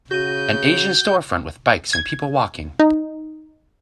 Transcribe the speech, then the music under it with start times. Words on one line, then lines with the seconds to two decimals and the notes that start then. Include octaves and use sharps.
An Asian storefront with bikes and people walking.
0.11 C#3 F#4 G6 D#7
1.93 G#6
2.79 D#4